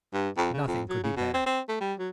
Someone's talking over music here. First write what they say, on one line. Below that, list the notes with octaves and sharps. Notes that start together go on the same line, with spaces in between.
Nothing could be better.
G2
F2
C#3
F2
F#3
C#3
B2
C4
C4
A3
G3
F#3